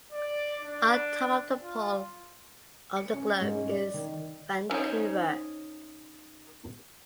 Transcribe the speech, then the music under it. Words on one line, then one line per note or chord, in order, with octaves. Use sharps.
On top of the pole of the globe is Vancouver.
D5
D4
F4
C#7
C#4
G#2
C#4
D5
D#3
B3 C#4 D#4 C5 C#5